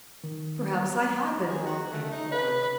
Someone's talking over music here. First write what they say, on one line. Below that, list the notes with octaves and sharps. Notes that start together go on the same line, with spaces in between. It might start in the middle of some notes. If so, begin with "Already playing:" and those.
'Perhaps I have been wrongly informed.
D#3
G#4
F#4
A3
D#4
B4
B4